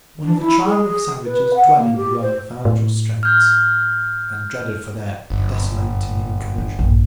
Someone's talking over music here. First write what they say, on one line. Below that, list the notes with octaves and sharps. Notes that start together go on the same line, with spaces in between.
One of a tribe of savages dwelling beyond the Financial Straits and dreaded for their desolating incursions.
D4
E4
G#4
B4
F#5
A#3
G4
C5
A2
F6 G6
G1 F#2
B3 D4
A#1 G2